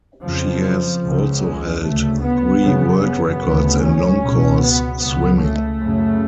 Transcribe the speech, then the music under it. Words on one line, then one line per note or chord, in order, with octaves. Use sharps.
She has also held three world records in long course swimming.
F2 C#3 F3
C#2 C#3
G#3
D2 C#3 A3
B3
F#2 C#3
B3
D2 C#3
C#4
C#2 B2
B3
C#2 C#3 B3
A3
F#2 C#3